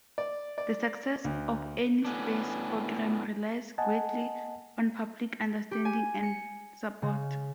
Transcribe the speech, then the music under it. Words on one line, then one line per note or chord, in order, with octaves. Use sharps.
The success of any space program relies greatly on public understanding and support.
D5
D5
D2
A2 B3 C#4 D4
D#5 F#5 G#5 A5
G4
G#5
C#7
C#3